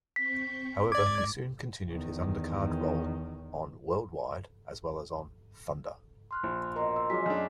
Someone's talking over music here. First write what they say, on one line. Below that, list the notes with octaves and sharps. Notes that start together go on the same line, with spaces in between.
However, he soon continued his undercard role on "WorldWide" as well as on "Thunder".
C4 C#6 G6 B6
G#2 D5 D6 G#6
E2 D#3
C6 F6 F#6
A#1
B2 A#4 A#5 C6
C6 E6
F3 F#3 G#3 D4 F4 D6 B6
F#2 A3 D4 F4 G#4